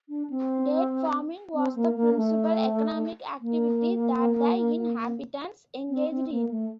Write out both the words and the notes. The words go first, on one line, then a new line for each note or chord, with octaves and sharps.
Date farming was the principal economic activity that the inhabitants engaged in.
D4
C4
C4
A#3
A#3
A3
A#3
C4
C4
A#3
A3